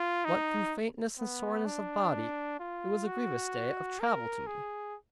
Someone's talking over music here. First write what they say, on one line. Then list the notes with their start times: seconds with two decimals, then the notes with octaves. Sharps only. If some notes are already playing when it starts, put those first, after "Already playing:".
What, through faintness and soreness of body, it was a grievous day of travel to me.
Already playing: F4
0.25 D#4
1.19 B3
1.65 D4
2.60 F4
3.07 F#4
4.00 A#4
4.47 G#4